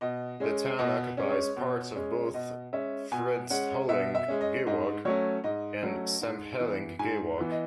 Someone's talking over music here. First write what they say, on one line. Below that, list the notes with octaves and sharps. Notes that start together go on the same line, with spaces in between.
The town occupies parts of both Phuentsholing Gewog and Sampheling Gewog.
B2 D#5
G#3 C#4
B2 D#5
G#3 C#4
C#5
B2
G#3 C#4
B2 D#5
G#3 C#4 E5
B2 G#5
G#3 C#4 F#5
B2 E5
E5
G#3 C#4
D#5
G#2 D#5
F#3 A3 C#4 C#5
G#2 D#5
F#3 A3 C#4
G#2
E3 B3
G#2 G#5
E3 B3
D#5